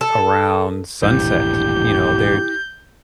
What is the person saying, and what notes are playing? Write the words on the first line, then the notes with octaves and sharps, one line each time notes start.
around sunset, you know, they're,
A4
D#1 A1 G2 E4 G4 G6